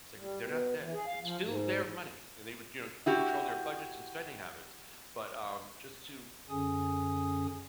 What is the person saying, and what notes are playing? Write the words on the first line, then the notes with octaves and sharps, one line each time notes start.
Say who? They're not dead. It's still their money, and they would, you know, control their budgets and spending habits, but, um, just to
G3
B2
E3
G#4
F5
F3
G#2
E4 F#4 G4
F#2 D3 C#4 G#4 G#5 D#6